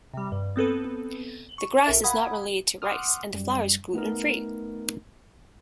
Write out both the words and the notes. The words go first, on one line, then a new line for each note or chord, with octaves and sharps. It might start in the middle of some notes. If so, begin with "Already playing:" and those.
The grass is not related to rice, and the flour is gluten-free.
C3 G3
G2
B3 C4 A4 B4
C#6
B1 A#4 E5
F5 F#5 A#5 B5 D#6 G#6
F#5 C6 D6 D#6 F6
F#2 G3
A3 B3 D#4 A#4